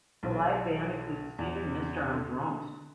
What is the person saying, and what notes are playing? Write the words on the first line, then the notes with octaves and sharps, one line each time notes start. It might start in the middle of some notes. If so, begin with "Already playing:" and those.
The live band includes Steven Nistor on drums.
B1
E2
D3